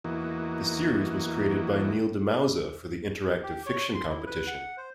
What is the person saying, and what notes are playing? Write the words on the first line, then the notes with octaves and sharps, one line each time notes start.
The series was created by Neil deMause for the Interactive Fiction Competition.
E2 E3 A#3 D#4 F#4
G4
C#5
C6
E4
B4
F#5
C5